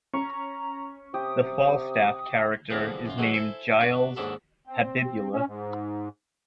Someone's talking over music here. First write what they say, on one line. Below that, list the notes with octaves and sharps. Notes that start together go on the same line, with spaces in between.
The Falstaff character is named Giles Habibula.
C#4 A#5 C#6
C3 G4 D#6
D3 F3 A#3 C4 G#4 B4
F#2 F4
E3 F#3 G#3 A3 D#4 F#4
E4 A4 C5 G#5
D4 F#4 B4
D#2 G#2 D4 F#4 A4 B5
C4
C#4
G#2